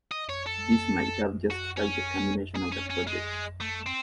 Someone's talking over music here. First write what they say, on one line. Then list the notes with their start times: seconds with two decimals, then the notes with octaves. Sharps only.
This might have justified the termination of the project.
0.11 D#5
0.29 C#5
0.46 A4
1.51 F#4
1.77 C#4
2.56 G#4
2.72 C#4
2.90 C#4
3.07 G#3
3.60 A3
3.86 C4